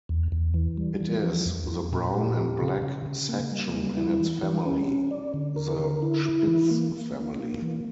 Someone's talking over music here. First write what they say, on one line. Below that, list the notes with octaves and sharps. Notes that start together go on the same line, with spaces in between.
It is in the "brown and black section" in its family, the Spitz family.
E2
E2
E3
G3
E3
F3
F2
F2
A#2
G4
G4
C#3
C#3
C#3
A#3
G3
G3
E4
E3
E3
C#4
C#4
D5
D3
A#4
D3
E4
E4
E3
A#3
A#3
A#3
A#3
E3